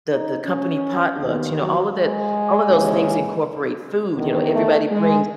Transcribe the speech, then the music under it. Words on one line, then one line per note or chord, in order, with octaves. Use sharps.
the the company potlucks, you know, all of that all of those things incorporate food, you know, everybody brings
D#4
C#4
D#2 D#3 B3
F#3
G#3
D#2 C#3 E3
E2 D#3
A3
G#3